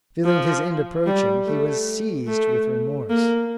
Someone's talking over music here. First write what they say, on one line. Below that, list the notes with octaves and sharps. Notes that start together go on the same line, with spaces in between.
Feeling his end approaching, he was seized with remorse.
F3
G3
A3
A3
A#3